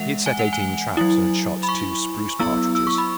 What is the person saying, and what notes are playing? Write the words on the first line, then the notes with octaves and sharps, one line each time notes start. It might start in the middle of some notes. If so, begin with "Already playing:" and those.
He had set eighteen traps and had shot two spruce partridges.
Already playing: E3 G#3 E5 F#5
G#5
F#5
G#5
F#3 E4
B5
C#6
F#3 B3 E4 E6
E6
C#6
B5